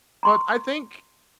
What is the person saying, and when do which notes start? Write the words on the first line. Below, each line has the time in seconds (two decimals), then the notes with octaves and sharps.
But I think
0.23 A#5 C6 C#6